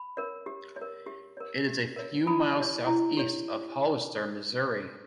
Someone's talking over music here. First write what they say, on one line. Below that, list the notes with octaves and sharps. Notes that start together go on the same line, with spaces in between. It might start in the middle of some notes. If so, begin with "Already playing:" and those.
It is a few miles southeast of Hollister, Missouri.
Already playing: B5
A#4 C#5
G4
C#5
A#4
G4
A#4 C#5
G4
A#4 C#5
E4 B5 D#6
G4 C#5
E4
G4 C#5